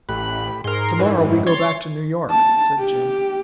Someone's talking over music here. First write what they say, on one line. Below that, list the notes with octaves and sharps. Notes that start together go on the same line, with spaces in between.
"To-morrow we go back to New York," said Jim.
A1 A2 G4 B5 F#6
G#2 G#4 A#4 C6
F#2 E3 G3 C#4 D#4
C#5 C6 A6
A5
G4